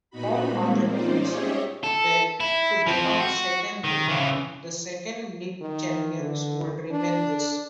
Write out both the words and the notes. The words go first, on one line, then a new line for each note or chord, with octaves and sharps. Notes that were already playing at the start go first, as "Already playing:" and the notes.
All other teams were to become second rate; the second league champions would remain this.
A#2 B3 D#4 F#4 B5
G3 G#3 A#3 C4
C#4 D#4 F4 C5 D5
G4 G#4 C#5 D#5 E5
A4
E4
F3 C4
F#4
D#3
C#3 E3
D#3
D3
D4